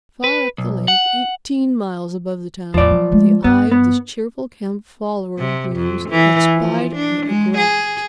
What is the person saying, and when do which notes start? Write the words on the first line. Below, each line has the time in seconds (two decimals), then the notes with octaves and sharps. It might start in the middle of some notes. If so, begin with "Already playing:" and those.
Far up the lake--eighteen miles above the town--the eye of this cheerful camp-follower of booms had spied out a graft.
0.24 B4
0.58 B1
0.88 F#5
2.74 E2 A2 F3 D5
2.91 F#3
3.12 G#3 A3
3.44 G2 B3
3.71 B3
5.38 C3
5.76 F2
6.10 E3
6.56 F3
6.95 D4
7.26 G#3
7.57 G#4